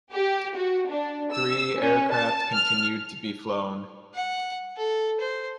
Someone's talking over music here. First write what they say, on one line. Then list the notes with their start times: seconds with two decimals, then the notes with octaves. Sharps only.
Three aircraft continued to be flown.
0.12 G4
0.55 F#4
0.88 D4
1.31 E6
1.79 C#4
2.11 A5
2.53 F6
4.14 F#5
4.77 A4
5.20 C5